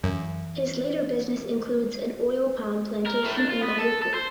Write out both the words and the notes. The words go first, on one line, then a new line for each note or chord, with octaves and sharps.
His later business includes an oil palm plantation in Maluku.
F#2 E3
A#4
A2
D4
F4
B3
A4
A4
C5